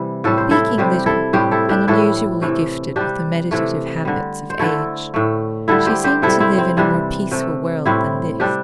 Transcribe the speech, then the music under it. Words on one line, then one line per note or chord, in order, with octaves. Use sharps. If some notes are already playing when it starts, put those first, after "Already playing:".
Speaking little, and unusually gifted with the meditative habits of age, she seemed to live in a more peaceful world than this.
Already playing: C3 E3 G3
A2 G3 A4
C5
E4 A4
C3 G3 G4 C5
E4 A4
A2 G3 G4 C5
E4 A4
D4 G4
A2 E3 G3 E4 A4
C3 E3 A3
C3 G3 D4 G4
C3 E3 A3
D3 G3
C5
D3 A3 E4 A4
A2 A3
D3 G3 E4 A4
G4 C5
G4 C5
C3 G3 E4 A4
C4 E4
C4
C3 E3 G3 D4
C3 A3
A2 G3 C4 E4
C3 G3 D4 G4